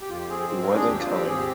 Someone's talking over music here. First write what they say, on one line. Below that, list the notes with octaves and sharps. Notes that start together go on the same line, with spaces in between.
He wasn’t coming.
G4
F2 F4
G4
C4 G#4
G#4
G#2 C5
A#4
D4
G#4
D#2 G4
F4
C4
G4
G#2 G#4
G4